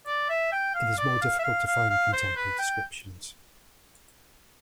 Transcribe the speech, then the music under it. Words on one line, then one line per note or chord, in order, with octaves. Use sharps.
It is more difficult to find contemporary descriptions.
D5
E5
G5
F5
D5
F5
E5
F5
F5
F5
C5
B4
G5